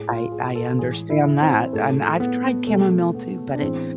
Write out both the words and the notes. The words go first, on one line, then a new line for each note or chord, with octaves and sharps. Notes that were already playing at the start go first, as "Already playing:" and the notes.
I I understand that. And I've tried chamomile too, but it
Already playing: A2 G#3 G#4
F4
G#4
A4
A2 E3 G#3 G#4
E4
C4
A2 G#3 A3
B3
B2 G#3 A3
B3
D4
A2 E3 G#3 C4